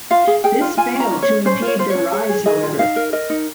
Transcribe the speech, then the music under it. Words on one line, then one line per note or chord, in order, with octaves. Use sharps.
This failed to impede their rise however.
F4 F5
G#4
G#4 G5
F4
F4 G#5
C#4
A#5
C#4
C#5
C#4
C#4 C5
F4
C#5
F4 C5
C#5
C#4
G#4 C#5
G#4
G#4 D#5
F4
D#4 F5
A#4
A#4 D#5
D#4